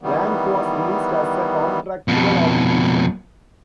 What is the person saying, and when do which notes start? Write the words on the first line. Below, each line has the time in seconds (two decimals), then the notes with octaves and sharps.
"Rank" was released as a contractual obligation.
0.01 D#3 E3 G3 B3
2.08 F2 B2